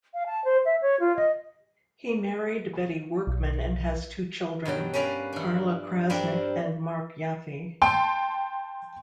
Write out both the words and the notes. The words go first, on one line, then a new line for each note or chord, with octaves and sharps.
He married Betty Workman and has two children: Carla Krasnick, and Mark Yaffe.
F5
A5
C5
E5
C#5
F4
D#5
B1
G2 B2 F#3 G5
C#4 A#4 B4 D5 F5
E3 D4
G2 G3 C4 D4 A#4
G5 A5 C6